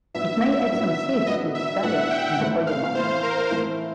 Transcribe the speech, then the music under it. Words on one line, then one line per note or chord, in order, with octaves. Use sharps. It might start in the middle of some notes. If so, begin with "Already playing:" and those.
It may add some seeds to its diet in the colder months.
A2 F#3 B3 D4 E5
A2 F#3 B3 D4
A2 F#3 B3 D4 D#5
E5
A2 F#3 B3 D4 F#5
G5
A2 E3 A3 C4 E4 F#5
F5
A2 E3 A3 C4 E4 C5
A#4
A2 E3 A3 C4 E4 C5